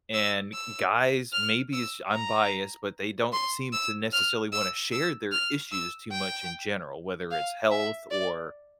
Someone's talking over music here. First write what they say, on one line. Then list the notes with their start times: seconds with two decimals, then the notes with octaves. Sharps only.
And guys, maybe it's j I'm biased, but they don't seem to necessarily wanna share their issues too much in general, whether it's health or,
0.14 E6
0.54 E6
1.33 F6
1.73 E6
2.13 A#5
3.33 C6
3.73 E6
4.13 F6
4.53 E6
4.92 E6
5.32 F6
5.72 E6
6.12 G5
7.31 F5
7.71 E5
8.11 D5